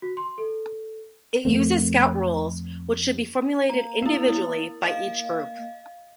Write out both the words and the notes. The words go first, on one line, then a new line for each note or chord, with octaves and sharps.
It uses Scout rules, which should be formulated individually by each group.
F#4
C6
A4
F2 A3 A#3 C4
A#3 A#5
B3 E4
E4
D#5 F5